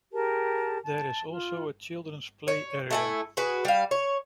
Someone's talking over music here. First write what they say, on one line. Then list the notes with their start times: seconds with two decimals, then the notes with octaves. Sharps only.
There is also a children's play area.
0.13 G4 G#4 A#4 A5
0.83 A5
1.28 F4
2.48 C#5
2.91 A3 E4 G#5
3.37 F#4 G#4 B4
3.65 G3 F5
3.91 C#5